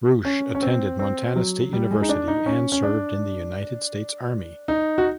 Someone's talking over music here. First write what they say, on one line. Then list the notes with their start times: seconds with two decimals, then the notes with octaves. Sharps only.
Roush attended Montana State University and served in the United States Army.
0.25 C#4
0.55 C#4
0.62 C4
0.99 C4
1.36 F#3
1.73 G3
1.91 G#3
2.02 D#4
2.09 D4
2.28 D#4
2.46 C#4
2.72 C#4
2.83 D4
4.68 D#4
4.98 F#4